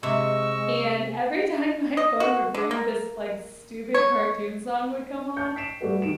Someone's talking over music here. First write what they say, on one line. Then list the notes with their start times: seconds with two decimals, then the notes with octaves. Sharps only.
and every time my phone would ring, this, like, stupid cartoon song would come on,
0.03 C3 G#3 D#5 C#6 E6
1.97 D#5
2.20 F#4
2.54 D3
2.71 A#3
3.94 C#5
5.36 A5 C#6 G6 C#7
5.56 B6 C7 D7 E7
5.81 G3 A3 F#4 B4
6.02 D#3 D7 E7